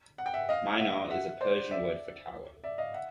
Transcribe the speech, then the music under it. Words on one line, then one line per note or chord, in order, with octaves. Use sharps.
Minar is a Persian word for tower.
F#5
G5
E5 F#5
D#5 F5
E5 F#5
E5 F#5
C5 D5
D5 E5
D5 E5
D#5 F5
E5 F#5